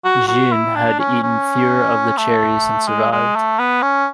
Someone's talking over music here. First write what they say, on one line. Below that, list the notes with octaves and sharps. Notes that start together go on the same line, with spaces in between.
Jeanne had eaten fewer of the cherries and survived.
F#4
F#4
E4
D4
C#4
C#4
A3
G#3
G#3
A3
B3
C#4